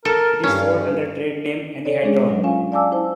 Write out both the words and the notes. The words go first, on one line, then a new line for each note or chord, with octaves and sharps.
It is sold under the trade name anhydrone.
A4 A#4
G2 C#4 F5
A4 C#5 D5
G#3 C#4 D4 G#4 C#5
F#3
C#4 F4 F5 G#5
D5 F5 G#5 A5 D6 E6
E4 C5 A5